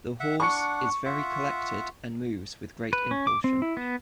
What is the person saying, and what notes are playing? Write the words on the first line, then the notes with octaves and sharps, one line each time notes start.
The horse is very collected and moves with great impulsion.
E5 F#5
D4 F#5 C#6 C#7
F4 E5 F#5
B4
C#4
D6
C4
E4
B3